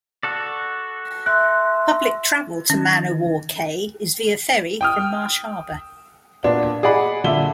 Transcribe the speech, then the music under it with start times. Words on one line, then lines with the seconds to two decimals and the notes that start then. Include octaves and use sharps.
Public travel to Man-O-War Cay is via ferry from Marsh Harbour.
0.23 F#4 A4 D5
1.26 E5 C6 E6 F#6
2.70 D#3 C#4
4.81 G5 D#6 F6
6.44 A#2 B3 D4
6.83 G#4 D5 D#5 F#5 B5
7.24 A#2 D3 E5 G7